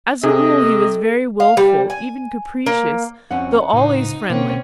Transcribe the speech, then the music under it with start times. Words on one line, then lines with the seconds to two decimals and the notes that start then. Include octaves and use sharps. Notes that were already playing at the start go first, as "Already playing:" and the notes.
As a rule he was very willful, even capricious, though always friendly.
0.23 C3 G#4 A4 D#5
1.40 F5
1.57 G3
1.90 G#5
2.66 A#3
3.31 F2 C4 C#4 F#5
3.73 C#2 A2 D#4 C5
4.30 B2 A#3 C4 C#4